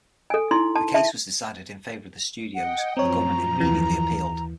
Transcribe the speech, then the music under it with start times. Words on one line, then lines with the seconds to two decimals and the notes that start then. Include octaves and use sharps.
The case was decided in favor of the studios, and the government immediately appealed.
0.30 A4 G#5
0.51 D#4 E4 C6
0.76 A5
0.94 E5 A5
2.55 D#5 F#5 G5
2.97 F#2 F3 C4 C#5 A#5
3.60 D#2 E3